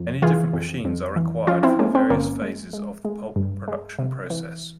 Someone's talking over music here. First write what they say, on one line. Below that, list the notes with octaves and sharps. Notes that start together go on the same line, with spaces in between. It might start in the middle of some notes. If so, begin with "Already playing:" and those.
Many different machines are required for the various phases of the pulp production process.
Already playing: F2
E3 F4 G#4
F2
F2
E3
F3 C#4 F4
C4 E4
G#3 A#3 C#4
C4
G1 A#3 C#4
G#3
G#3
G#3
G2
G#3
C3
E3